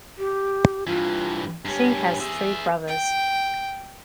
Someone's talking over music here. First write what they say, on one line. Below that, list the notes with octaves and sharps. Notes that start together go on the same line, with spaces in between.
She has three brothers.
G4
G2 E3 F4
G2 C#4 G4
G#4 E5
G5